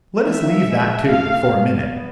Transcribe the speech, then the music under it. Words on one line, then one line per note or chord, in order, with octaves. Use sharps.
Let us leave that, too, for a minute.
E3 E5
E3
F3
G#3
A3 F5
B3